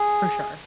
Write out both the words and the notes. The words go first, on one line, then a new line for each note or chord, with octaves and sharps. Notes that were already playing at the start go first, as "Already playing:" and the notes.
for sure.
Already playing: G#4